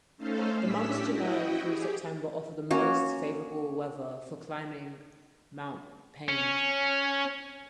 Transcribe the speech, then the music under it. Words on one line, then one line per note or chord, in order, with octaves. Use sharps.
The months July through September offer the most favorable weather for climbing Mount Payne.
A3 C#4 D#4 A4 C5 F5
A2 C#4 D4 G4 E6 B6
E4 F#4 D#5 G5
G4 G#4
A#3 C#4 F#4
C#4